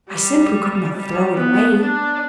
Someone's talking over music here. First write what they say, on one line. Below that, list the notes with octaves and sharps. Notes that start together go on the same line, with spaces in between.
I simply could not throw it away.
G3
G3
B3
D4